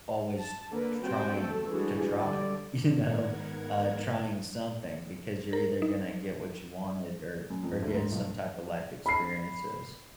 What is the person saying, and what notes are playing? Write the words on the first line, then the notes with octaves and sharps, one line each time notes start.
always tr trying to try, you know? Uh, trying something because you're either gonna get what you wanted or or get some type of life experiences.
A5
D3 A#3 B4
G3 C4 F#4 C5 G5
A3 A4
E3 G3 G#3 D4 F#4 G#4
D3 G3 D5
G#2 D#3 B3 A#4 F#5 G#6
A#4
D#4
F#2
F2
D2
G#2
B1
B5 C7